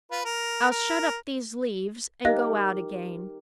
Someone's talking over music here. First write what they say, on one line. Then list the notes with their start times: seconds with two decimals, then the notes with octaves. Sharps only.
I'll shut up these leaves and go out again.
0.11 F4 B4
0.25 A#4
0.71 A#4
2.25 D#4 G4 A#4 D#5 F5 F#6